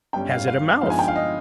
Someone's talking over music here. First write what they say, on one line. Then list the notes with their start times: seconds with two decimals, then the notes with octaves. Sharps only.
Has it a mouth?
0.13 G1 G2 G3 C#4 G5
0.31 F5
0.48 F5
0.81 G1 G2 F3 G#3 D#4 F5
0.90 G#5
0.99 G5
1.08 F5
1.16 D#5